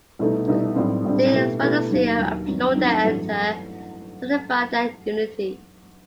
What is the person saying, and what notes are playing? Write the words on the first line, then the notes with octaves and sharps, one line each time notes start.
They spontaneously applaud their editor, signifying their unity.
C2 B2 A3 D#4
C2 B2 A3 D#4
B1 A2 G3 C4
B1 A2 G3 C4
B2 A3 E4 G4
B2 A3 E4 G4
D#2 D#3 F#3
D#2 D#3 F#3
G2 D#3 F#3 C4 D#4
G2 D#3 F#3 C4 D#4
A1 G2 F#3 A3